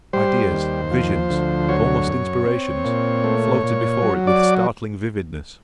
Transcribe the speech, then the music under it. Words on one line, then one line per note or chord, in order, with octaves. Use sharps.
Ideas, visions, almost inspirations, floated before it with startling vividness.
G3 C5
D#2
F3
D2
F#3 C#5
F#2
C4
A#2
A3
A#2
F#3
D5